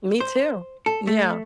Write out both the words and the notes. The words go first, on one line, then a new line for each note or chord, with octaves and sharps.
Me too. Yeah.
C5
A4
A3